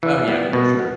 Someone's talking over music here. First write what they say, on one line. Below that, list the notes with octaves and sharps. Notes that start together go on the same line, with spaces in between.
Oh yeah, for sure.
E3
G3 B3
B2
B3